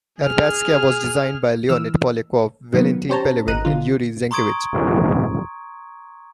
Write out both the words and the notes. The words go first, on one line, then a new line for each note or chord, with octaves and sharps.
Arbatskaya was designed by Leonid Polyakov, Valentin Pelevin and Yury Zenkevich.
G#4 F6
E3 E6 F6
D#3 F#3 A#3 B3
C#4 G4 C5 C#5 A5 A#5
G#1 D#5 A#5 F#6 D#7
D3 F4
A#5 C6 C#6 D#6 G#6 D7